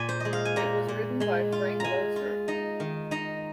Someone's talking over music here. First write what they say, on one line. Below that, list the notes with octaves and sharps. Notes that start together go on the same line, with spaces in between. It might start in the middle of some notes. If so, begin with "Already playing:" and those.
It was written by Frank Loesser.
Already playing: A#2 G#5
C5
G#3 D#5
F5
G#5
A#2 A#5
A#2
G#3 C6
F4
G#3 G#5 A#5
F4
D#4 A#5
D#3
D#4 A#5